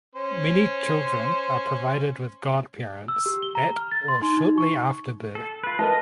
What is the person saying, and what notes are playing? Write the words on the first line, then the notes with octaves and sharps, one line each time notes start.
Many children are provided with Godparents at or shortly after birth.
C#4 C5
E6
G4
G7
A#5
F6
A6
C6
D#4
D#4
C#6
A4
F4 B4
A#4 B4 D#5 A5